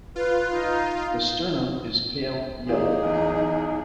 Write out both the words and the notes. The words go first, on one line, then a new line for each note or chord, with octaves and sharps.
The sternum is pale yellow.
F4 B4
D#4 F5
E3 D#4 F4 G4 G#4
B1 E2